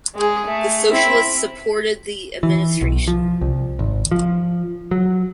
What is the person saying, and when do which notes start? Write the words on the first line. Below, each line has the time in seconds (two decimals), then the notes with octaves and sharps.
The Socialists supported the administration.
0.15 G#3 G#4
0.45 A3
0.91 C4 E4
2.43 E3
2.81 B1
3.08 F3
3.41 C2
3.79 G#1
4.11 F3
4.91 F#3